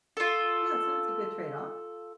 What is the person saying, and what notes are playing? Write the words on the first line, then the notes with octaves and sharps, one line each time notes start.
Yeah, so it's a good trade-off.
F4 A4